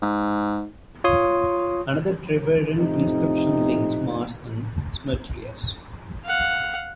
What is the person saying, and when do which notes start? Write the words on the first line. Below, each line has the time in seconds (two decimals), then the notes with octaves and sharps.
Another Treveran inscription links Mars and Smertrius.
0.02 G#2
1.04 F4 C#5 C6 D#6
2.79 F2 A2 C3 D#4
6.25 F5 F#5